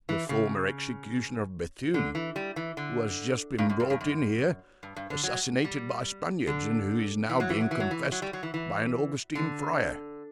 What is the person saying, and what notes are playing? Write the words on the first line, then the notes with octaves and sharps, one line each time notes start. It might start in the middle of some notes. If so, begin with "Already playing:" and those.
"The former executioner of Bethune, who has just been brought in here, assassinated by Spaniards, and who is now being confessed by an Augustine friar."
E3
C#3
D3
E3
G3
E3
D3
G2
F#2
G2
G2
F#2
G2
G2
D3
F#3
G3
D3
E3
F#3
E3
F#3
E3
F#3
E3
F#3
G3
F#3
E3
E3
D3